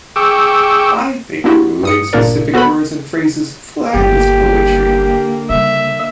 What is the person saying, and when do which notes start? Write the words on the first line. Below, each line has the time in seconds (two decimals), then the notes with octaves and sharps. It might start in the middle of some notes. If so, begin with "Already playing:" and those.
I think removing specific words and phrases flattens poetry.
0.16 G#4 G5 C#6 D6 E6
1.44 A#3 D4 E4 F#4 G4
1.83 G2 D#6 C#7
2.13 G1 A#2 A#3 D4 A#4 D5
2.54 B3 F#4 A4 B4 B5
3.94 G1 D3 G3 A#3 G4
5.50 C#3 G3 E5